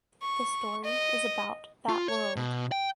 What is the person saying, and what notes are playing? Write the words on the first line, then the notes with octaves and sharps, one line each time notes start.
The story is about that world.
C#6
D#5
F4
C#5
B2
G5